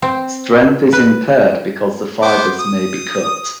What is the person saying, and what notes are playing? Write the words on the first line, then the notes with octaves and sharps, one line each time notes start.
Strength is impaired because the fibres may be cut.
C4
B4
B3 C5 D6
D#6